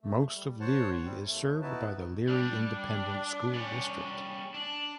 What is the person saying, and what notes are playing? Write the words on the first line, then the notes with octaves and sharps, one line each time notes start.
Most of Leary is served by the Leary Independent School District.
A3
G3
C5 C#5 F#5 A5
G3 C4
D#2 A3
B3 D#4 E4 F#4 B4 A5
G3 D4
G3 C#4
D4